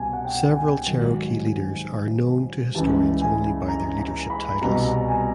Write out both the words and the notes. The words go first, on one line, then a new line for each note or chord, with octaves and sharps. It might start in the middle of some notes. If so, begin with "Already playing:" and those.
Several Cherokee leaders are known to historians only by their leadership titles.
Already playing: C2 B2 G#5 A5
F#5
G5
G#5
G#2 D#3 F#3
C#2 C#3 E3 G3 A5
G#5
A#5
A#5
B5
C2 B2 G3 A#5
G#5